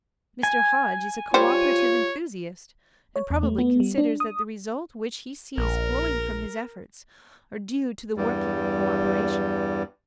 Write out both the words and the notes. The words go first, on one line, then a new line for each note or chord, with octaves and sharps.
Mr. Hodge is a co-operative enthusiast and probably considers that the result which he sees flowing from his efforts are due to the working of co-operation.
G#5
G3 F4 C5 C#5
C#5
E2
A3
B3
G3
D4
D#6
A#1 A#4
E2 G2 G3